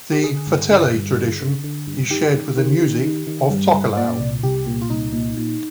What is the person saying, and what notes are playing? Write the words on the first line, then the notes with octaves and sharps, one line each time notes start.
The "fatele" tradition is shared with the music of Tokelau.
G4
D3 G#4
G2
D3
G2
D3
D3
D3
G2
D#3 G4
D#3
D#3
D#3
D#3
D#3
G2
G2
A#2 D5
C2
C2 G4
A#2
F4
C2 D#4
A#2
A#2